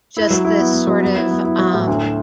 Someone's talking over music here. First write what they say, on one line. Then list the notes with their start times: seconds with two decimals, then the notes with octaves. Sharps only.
just this sort of, um
0.17 E4
0.30 F#3
0.45 E4
0.59 B3
0.73 B3
0.87 F#3
1.02 B3
1.16 E4
1.31 B3
1.44 E4
1.59 F#3
1.74 A2
1.88 D2